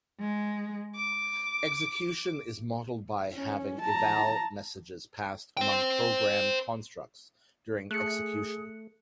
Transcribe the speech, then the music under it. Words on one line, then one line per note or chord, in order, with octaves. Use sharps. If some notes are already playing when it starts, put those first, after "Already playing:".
Execution is modeled by having Eval messages passed among program constructs during execution.
G#3
D6
C#4
A5 A#5
C5 G5
A3 G#4 F#6 C#7